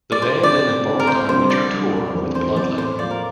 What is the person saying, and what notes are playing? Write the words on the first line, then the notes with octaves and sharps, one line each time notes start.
The band then embarked on a winter tour with Bloodlet.
D5
G2 C5
D3 A3 C4 D5
G2
D3 A3 C4
A#4
C2 C5
C3 G3 D4 C5
C2 D5
C3 G3 D4
E1
E2 E3 A3 C4
E1 C5
E2 E3 A3 C4 D5
A2 C5
F3 A#3 D5
A#4